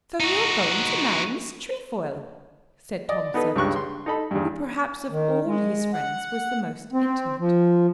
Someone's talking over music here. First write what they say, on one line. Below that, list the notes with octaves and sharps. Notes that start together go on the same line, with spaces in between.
"So you're going to marry Miss Trefoil," said Tom Surbiton, who perhaps of all his friends was the most intimate.
D#4 F#4
D5 D#5
B3 D#4 A4 B4
C#2 G2 C#6 F#6
C6
D#4 A4 B5
E2 G2
D#3
G#3
F#5
C4
F3